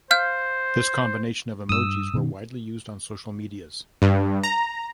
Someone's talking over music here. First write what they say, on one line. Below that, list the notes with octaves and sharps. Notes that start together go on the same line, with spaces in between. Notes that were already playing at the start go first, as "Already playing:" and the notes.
This combination of emojis were widely used on social medias.
C5 F5 F6 G6
G2 D#6 E6
B2 D#3
G2
A#5